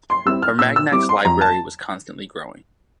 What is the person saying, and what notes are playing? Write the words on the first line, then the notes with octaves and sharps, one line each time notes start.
Armagnac's library was constantly growing.
C6
G3 C4 E4 E6
F6
A#2 E6
E6
G3 C4 E4 D6
C6
F2 A#5
A5